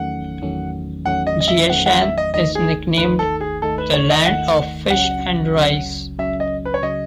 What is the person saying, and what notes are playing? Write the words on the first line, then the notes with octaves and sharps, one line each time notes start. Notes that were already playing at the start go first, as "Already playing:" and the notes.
Jiashan is nicknamed "The Land of Fish and Rice".
Already playing: E2 D#3 F#3 A3 C#4 F#5
E2 D#3 F#3 A3 C#4
E2 D#3 F#3 A3 C#4 F#5
D#5
D#5
E5
E2 D#3 F#3 A3 C#4 F#5
F#5
E5
D#5
D#2 D#3 A3 D#4 D#5
G#4
D#2 D#3 A3 D#4 B4
A4
G#4
D#2 D#3 A3 D#4 A4
B4
C#5
D#5
D#2 D#3 A3 D#4 F#5
C#2 C#3 F#3 C#4 F#5
C#2 C#3 F#3 C#4
C#2 C#3 F#3 C#4 E5
D#5
B4
C#5
C#3 F#3 C#4 D#5